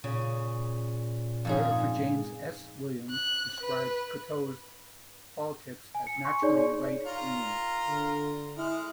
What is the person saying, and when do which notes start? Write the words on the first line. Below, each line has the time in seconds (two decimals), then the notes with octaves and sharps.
Biographer James S. Williams describes Cocteau's politics as naturally Right-leaning.
0.04 A#2 C#3
1.45 F2 G#2 G#4
3.11 F#6
3.60 B4
5.95 G#5
6.07 C#7
6.25 C6 C#6
6.42 D#4 G#4 C#5 D5
7.06 F4 A#4 A#5
7.88 D3
8.57 G#3 E4 F6